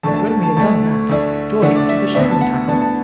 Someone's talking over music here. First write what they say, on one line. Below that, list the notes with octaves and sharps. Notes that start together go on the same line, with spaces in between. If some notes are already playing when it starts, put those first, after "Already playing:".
And when we had done that George wanted the shaving tackle.
D2 D3 A3 D4 A5
A5
A5
A5
D2 D3 A3 D4 A5
D2 D3 A3 D4
D2 D3 A3 D4 F#5
D5
E5
D2 D3 B3 D4 E5
A5
F#5
D2 D3 B3 D4 A5
A5